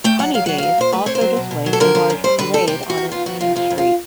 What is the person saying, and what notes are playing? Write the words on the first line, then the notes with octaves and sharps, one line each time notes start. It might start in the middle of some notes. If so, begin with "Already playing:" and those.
Honey Days also displays a large parade on its main street.
A3 G5
F#3 F#5
F#3 F5
F#3 F#5
F#3 F5
A#2 C5
A3 B4
C4 C#5
C5
F#3
B2
B2
F#3
A4
D3 A#4
D3
F#2
G3 C5
D3 B4
G3 A4
C3 G4
C3
F#4
D#3
B3 F4
D#3 F#4
C3 F4
F2 F4
F2
F4